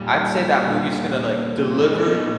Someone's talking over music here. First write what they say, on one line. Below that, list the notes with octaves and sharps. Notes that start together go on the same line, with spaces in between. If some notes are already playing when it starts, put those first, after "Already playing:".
I'd say that movie's gonna, like, deliver
Already playing: A#2 G3
A#2
A#2
E3 G#3
B3 D#4